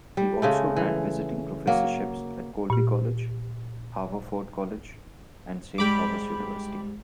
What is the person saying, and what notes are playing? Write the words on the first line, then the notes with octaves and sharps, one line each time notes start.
He also had visiting professorships at Colby College, Haverford College and St. Thomas University.
G3
C#3 G#3 A3
E3
F#3 A#3
A#2 G4
G#2 G3 G5 B5 D6